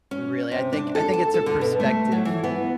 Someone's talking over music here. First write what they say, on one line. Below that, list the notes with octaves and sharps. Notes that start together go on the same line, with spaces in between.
really. I think I think it's a perspective
C#4
C3
D4
A4
A5
A4
D3
B2
A3
F#3
E3
B3